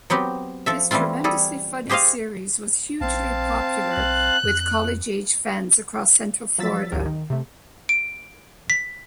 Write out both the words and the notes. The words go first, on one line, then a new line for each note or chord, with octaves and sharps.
This tremendously funny series was hugely popular with college aged fans across Central Florida.
F#3 B3 C4 G4
F3 A4 E5
E3 G3 A3 C4 F4
G3 G#4 A4
G4 G#4 C5 D#5 F5
A#1 C4 F5 A5
B1 F#6
F2
F3 F#3 E6 A6 B6
G#1 D2 F#3 G4 A#4
D#3
C3 A3
D7
B6